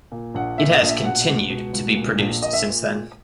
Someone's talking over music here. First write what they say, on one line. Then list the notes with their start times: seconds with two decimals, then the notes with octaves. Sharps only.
It has continued to be produced since then.
0.12 A#2
0.35 A#1 F#5
0.58 A#2 E5
0.74 D#5
0.82 A#1
0.89 E5
1.04 B2 F#5
1.28 C#2
1.50 B2
1.73 C#2
1.96 A#2
2.19 A#1
2.42 A#2 D#5
2.53 E5